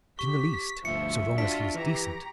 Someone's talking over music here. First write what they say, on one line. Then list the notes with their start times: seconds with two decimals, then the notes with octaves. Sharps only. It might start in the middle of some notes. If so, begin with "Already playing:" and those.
"Not in the least, so long as he is decent."
0.19 G4 C#6 B6
0.85 G1 D2 F3 E5 C#7
1.38 D4 F4 F#4 B6
1.75 E3 G4 A#5